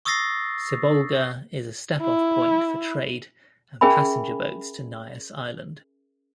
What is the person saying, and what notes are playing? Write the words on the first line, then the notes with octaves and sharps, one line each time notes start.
Sibolga is a step off point for trade and passenger boats to Nias Island.
C#6 D#6 E6 A6 A#6 C7
E4
C#4 G#4 A#4 E5 G#5 B5